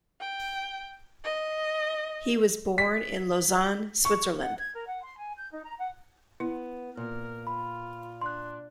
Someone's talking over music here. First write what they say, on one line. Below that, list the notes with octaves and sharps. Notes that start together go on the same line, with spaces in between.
He was born in Lausanne, Switzerland.
G5
D#5
B6
C#6
F#5
G#6
A#4
F#5
C6
G#5
G6
D#4
A#5
F#5
B3 E4
A#2 A#4
F4 B5
D4 C6 F#6